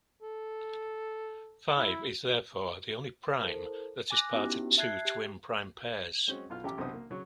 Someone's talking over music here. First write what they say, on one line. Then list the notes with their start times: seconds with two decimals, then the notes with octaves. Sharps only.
Five is therefore the only prime that is part of two twin prime pairs.
0.22 A4
1.78 E4
3.43 E4 A4 A#4 C5
4.11 G#5 D6 F#6 A#6
4.33 B3 C#4 D#4 E4 F#4 G4
4.78 E5 A5 F#6 G#6 C7
5.05 G4
6.28 G#3 C4 C#4 F#4
6.50 B1 F4 F6
6.64 A1 G4 A#5 D6
6.78 B1 C3 D4 C5 D#6
6.94 A#3
7.10 C#3 F#3 C#5 C#6